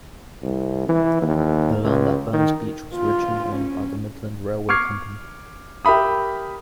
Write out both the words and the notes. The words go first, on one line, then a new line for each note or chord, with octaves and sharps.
The land at Burns Beach was originally owned by the Midland Railway Company.
C2
E3
D#2
C#2
D#3
F4
C#4
C#6 D6 F6 G#6 C7
G4 A#4 E5 B5 D#6